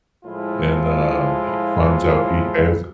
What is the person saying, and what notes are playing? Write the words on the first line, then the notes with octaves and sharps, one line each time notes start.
And, uh, he finds out he has
A2 F3 G#3 E4 F4